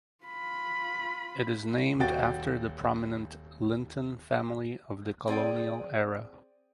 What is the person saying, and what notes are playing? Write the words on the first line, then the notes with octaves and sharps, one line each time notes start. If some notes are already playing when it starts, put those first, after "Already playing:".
It is named after the prominent Linton family of the colonial era.
F4 B5
D#1 F#4 G5 A6
C4 G#4 D5 G5